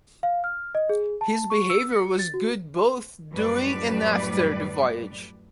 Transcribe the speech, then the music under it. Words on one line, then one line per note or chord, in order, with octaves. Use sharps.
His behaviour was good both during and after the voyage.
F5
F6
D#5
G#4
A5
C#6
E6
C#7
A6
F#4
F#2 A2 G3 B4 D5